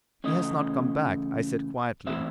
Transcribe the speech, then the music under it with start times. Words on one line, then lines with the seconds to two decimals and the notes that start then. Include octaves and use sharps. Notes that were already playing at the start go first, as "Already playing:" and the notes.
"He has not come back," I said quietly.
0.24 C#3 E3 A3 C#4 D#5
2.07 A2 E3 C4 E5